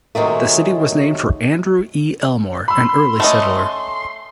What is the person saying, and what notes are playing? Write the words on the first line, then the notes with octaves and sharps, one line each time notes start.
The city was named for Andrew E. Elmore, an early settler.
C3 D#3 F#3 G#3 A3
B5 C6 E6
A3 C#4 D#5